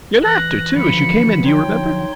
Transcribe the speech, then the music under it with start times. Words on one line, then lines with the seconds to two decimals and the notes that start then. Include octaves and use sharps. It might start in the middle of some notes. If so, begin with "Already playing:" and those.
Your laughter, too, as you came in, do you remember?
0.23 E3 F#6 A#6
0.76 D3 F3 F#3 B5 C#7
1.45 D#4 C#5 G5 C6